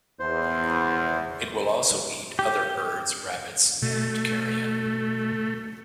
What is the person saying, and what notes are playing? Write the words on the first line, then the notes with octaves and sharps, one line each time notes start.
It will also eat other birds, rabbits, and carrion.
E2 C5
G4
B2 A3